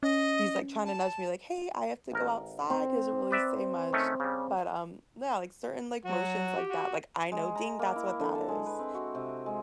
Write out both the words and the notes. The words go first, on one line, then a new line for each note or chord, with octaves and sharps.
He's, like, trying to nudge me like, “Hey, I have to go outside.” He doesn't really say much, but, um, yeah, like, certain, like, motions like that. Like, I know “ding,” that's what that is
C#4 D#5
A5
A1 A#4
C4
B4 D5 E5
D#3 A3 C#4
C#3 G3
F#3 F#4
G4
F#4
G#3
A#5
A#3
E4
D3
A5
G#3
B4
C4
F#4
C3
G#3